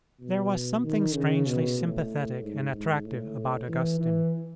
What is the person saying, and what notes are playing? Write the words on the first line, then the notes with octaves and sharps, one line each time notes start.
There was something strangely sympathetic and attractive about Augustine.
B2
D#3
C#3
B2
A2
G#2
G#2
A2
E3
E3